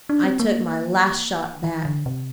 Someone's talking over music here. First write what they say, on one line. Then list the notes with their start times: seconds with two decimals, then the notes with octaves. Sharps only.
I took my "Last Shot" back.
0.09 D4
0.24 C4
0.40 A#3
1.64 E3
1.85 D3
2.06 C3